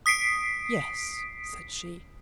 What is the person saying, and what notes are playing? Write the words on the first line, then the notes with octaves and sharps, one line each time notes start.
"Yes," said she.
D#6 B6 C7 D7